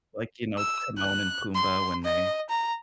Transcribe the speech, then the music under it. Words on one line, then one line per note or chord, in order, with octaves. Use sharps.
like, you know, Timon and Pumbaa when they
E6
F#6
C6
D#5
A#5